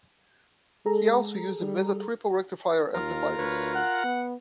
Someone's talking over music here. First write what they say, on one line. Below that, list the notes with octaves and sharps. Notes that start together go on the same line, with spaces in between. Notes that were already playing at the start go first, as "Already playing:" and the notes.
He also uses Mesa Triple Rectifier amplifiers.
G#3 G#4 A4 A#5
G3
D#2 F4 A#4
D2 B4 C#5
F#5
B3